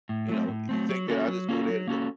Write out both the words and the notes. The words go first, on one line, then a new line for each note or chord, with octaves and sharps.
you know? You think that I just go there and go
A2
F#3 A3 C4
A2
F#3 A3 C4
F#3
A#3 C#4 F#4 A4
F#3
A#3 C#4 F#4 A4
F#3
A#3 C#4 F#4 A4